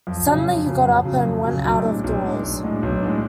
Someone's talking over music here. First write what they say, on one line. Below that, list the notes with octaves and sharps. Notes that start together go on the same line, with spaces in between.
Suddenly he got up and went out of doors.
F2
C#3 F#3
F2
C#3 F#3
F2
C#3 F#3
F2
C#3 F#3
B1
A2 G#3 D4
B1
A2 G#3 D4
B1
A2 G#3 D4
B1
A2 G#3 D4